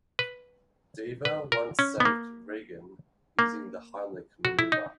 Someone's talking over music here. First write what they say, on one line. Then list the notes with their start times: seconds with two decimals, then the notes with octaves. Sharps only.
Deaver once saved Reagan using the Heimlich maneuver.
0.19 B4
1.25 B4
1.52 A#4
1.79 C#4
2.00 B3
2.05 A#3
3.39 A#3
4.45 F#4
4.59 E4
4.72 D#4